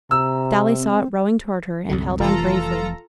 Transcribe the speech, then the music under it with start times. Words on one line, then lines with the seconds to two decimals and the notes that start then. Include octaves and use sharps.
Dolly saw it rowing toward her, and held on bravely.
0.11 C3 A#5 E6
0.78 C4
1.89 C2 F#2 D3
2.20 F1 C3 E3 F4 A4 A#5